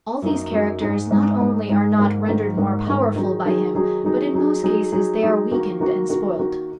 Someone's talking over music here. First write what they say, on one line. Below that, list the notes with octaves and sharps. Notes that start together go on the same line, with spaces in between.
All these characters not only are not rendered more powerful by him, but, in most cases, they are weakened and spoilt.
F#2 F#3 A#3 D#4
F#2 F#3 A#3 D#4
G#2 G#3 D#4
G#2 G#3 D#4
G#2 G#3 D#4
G#2 G#3 D#4
G#2 D#3 A#3
G#2 D#3 A#3
G#2 D#3 A#3
G#2 D#3 A#3
D#3 F#3 D#4 G#4
D#3 F#3 D#4 G#4
D#3 F#3 D#4 G#4
D#3 F#3 D#4 G#4
F#3 D#4 G#4
F#3 D#4 G#4
F#3 D#4 G#4
F#3 D#4 G#4
D#3 A#3 F#4
D#3 A#3 F#4
D#3 A#3 F#4
D#3 A#3 F#4